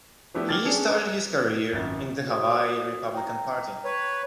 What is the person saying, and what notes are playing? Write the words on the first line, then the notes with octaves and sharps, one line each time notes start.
He started his career in the Hawaii Republican Party.
F3 A3 B3 D4 E4 G4
G5 D6 F6 G#6 A6
C#4 D4 G#4 A4
B4 A#5 D6
G#1 F#2 A6
F#4 C5 D#6
G5 A#5
B4 C#5